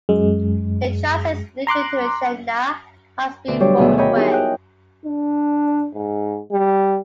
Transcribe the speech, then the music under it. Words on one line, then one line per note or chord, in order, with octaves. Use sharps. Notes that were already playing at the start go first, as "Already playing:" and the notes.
It translates literally to Shenda high-speed roadway.
F#2 G#3
A#5 C6 D6 F#6
D2 B2 D3 B4
F#3 G3 D4 G4 C5 C#5
D2 B2 D#3 G#4 E6
A#4 C#5 D#5 G5 B5
D#4 E4 G4 G#4 A#4 D#5
G5 F#6
D4
G#2
G3